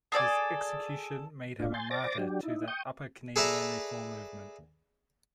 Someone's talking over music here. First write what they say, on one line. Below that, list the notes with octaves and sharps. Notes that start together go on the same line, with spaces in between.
His execution made him a martyr to the Upper Canadian Reform movement.
G#4 A4 D5 G#5
A2 D4 F4
G#5 C6 G6 A6
C5 D5 D6 A6 A#6
F#3 D4 G4
D#4 E4
G5 C#6 D#6 G6
G#4 A4 B4 D5 E5 A#5